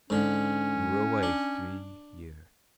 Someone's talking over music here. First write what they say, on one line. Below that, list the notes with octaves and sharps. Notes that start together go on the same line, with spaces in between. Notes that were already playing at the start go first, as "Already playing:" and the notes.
You were away three years.
G#2 D3 C#4
D4